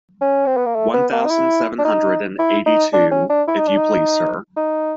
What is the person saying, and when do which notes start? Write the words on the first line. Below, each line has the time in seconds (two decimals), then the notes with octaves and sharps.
One thousand seven hundred and eighty-two, if you please, sir.
0.21 C#4
0.46 C4
0.57 B3
0.66 A#3
0.75 A3
0.94 B3
1.12 A#3
1.25 D#4
1.30 E4
1.78 D4
1.85 D#4
2.39 E4
2.66 D#4
2.93 D4
3.11 C#4
3.30 D4
3.48 E4
3.58 D#4
3.68 D4
3.77 D#4
4.56 D#4